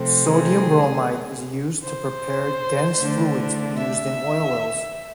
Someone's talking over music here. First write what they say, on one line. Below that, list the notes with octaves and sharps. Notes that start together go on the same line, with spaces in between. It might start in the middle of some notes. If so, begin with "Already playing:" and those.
Sodium bromide is used to prepare dense fluids used in oil wells.
Already playing: C3 F3 A3 C4
G#4
C5
D3 A3 D4
E5